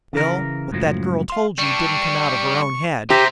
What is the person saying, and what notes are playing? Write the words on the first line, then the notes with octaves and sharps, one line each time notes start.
Bill, what that girl told you didn't come out of her own head.
C#3 E3 A#4
C#2 F#2 A2 F3 F#3
F5 C6
G3 D4 C#6
C3 G4 C5 E5 A#5